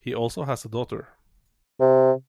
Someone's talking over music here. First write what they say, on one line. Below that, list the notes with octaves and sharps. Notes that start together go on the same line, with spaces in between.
He also has a daughter.
C3